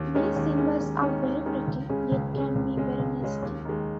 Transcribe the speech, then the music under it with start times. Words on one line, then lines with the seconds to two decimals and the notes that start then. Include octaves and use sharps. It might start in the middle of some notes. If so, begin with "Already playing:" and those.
These cymbals are very pretty, yet can be very nasty.
Already playing: D#2
0.15 D#3 G#3 C#4
0.36 D#2
0.58 D#3 G#3 C#4
0.80 D#2
1.02 D#3 G#3 C#4
1.23 D#2
1.46 D#3 G#3 C#4
1.67 C#2
1.89 C#3 G#3 C#4
2.12 C#2
2.33 C#3 G#3 C#4
2.55 C#2
2.77 C#3 G#3 C#4
2.99 C#2
3.21 C#3 G#3 C#4
3.42 D#2
3.65 D#3 G#3